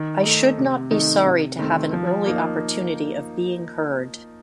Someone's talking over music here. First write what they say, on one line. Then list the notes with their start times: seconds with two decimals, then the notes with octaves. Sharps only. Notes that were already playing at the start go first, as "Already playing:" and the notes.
I should not be sorry to have an early opportunity of being heard.
Already playing: D#3
0.23 A3 D#4
0.58 C3
0.91 D#3 A3 D#4
1.26 C3
1.59 D#3 A3 C4
1.93 F3
2.26 A#3 D#4